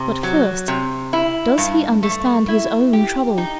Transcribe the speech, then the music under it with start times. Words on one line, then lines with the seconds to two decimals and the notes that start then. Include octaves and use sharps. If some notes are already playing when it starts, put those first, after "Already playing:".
But first, does he understand his own trouble?
Already playing: C3
0.23 F#3
0.68 C3
1.13 E4
1.58 G2
2.03 A3
2.48 E4
2.93 G4
3.38 D#4